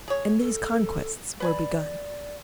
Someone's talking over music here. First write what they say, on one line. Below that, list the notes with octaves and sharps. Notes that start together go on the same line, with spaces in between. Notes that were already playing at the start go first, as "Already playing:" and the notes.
And these conquests were begun.
G#4 C#5
A4
B4 D5 G#5 B5